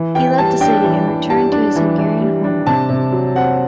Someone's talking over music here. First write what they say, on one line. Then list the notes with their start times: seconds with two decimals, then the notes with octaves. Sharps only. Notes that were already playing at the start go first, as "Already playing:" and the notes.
He left the city and returned to his Hungarian homeland.
Already playing: E3
0.15 E3 G5
0.38 G3 A5
0.61 D4 G5
0.84 E3
1.07 E3
1.30 G3 A5
1.52 D4
1.76 E3
1.98 E3
2.21 G3
2.44 D4
2.66 C3 A5
2.90 C3
3.12 F#3
3.35 C4 F#5